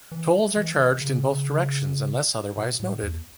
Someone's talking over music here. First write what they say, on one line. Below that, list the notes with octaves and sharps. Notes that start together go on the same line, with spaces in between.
Tolls are charged in both directions unless otherwise noted.
E3
E3
D#3
C#3
B2
A2
E2